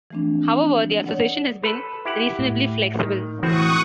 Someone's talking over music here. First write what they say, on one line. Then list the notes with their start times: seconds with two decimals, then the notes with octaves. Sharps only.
However, the association has been reasonably flexible.
0.10 E3 F3 A3 C4 D4
1.06 C#5 D5 F#5
1.63 A4 B4
2.05 E4 G4 F#5
2.39 A2
2.99 D#3
3.43 A2 E3 C4 F#4 C#6 D#6 F#6